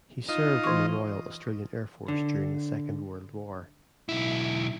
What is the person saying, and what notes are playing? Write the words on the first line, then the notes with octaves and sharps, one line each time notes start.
He served in the Royal Australian Air Force during the Second World War.
D#4 F4 D#5
E3 C#6
D3
B1 E4